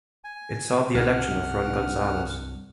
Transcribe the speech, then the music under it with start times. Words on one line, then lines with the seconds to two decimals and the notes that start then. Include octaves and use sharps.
It saw the election of Ron Gonzales.
0.24 G#5
0.95 C2 G2 F#5 F6